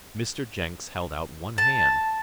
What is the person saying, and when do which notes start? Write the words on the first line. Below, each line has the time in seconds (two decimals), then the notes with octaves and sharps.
Mr. Jenks held out one hand.
1.58 A5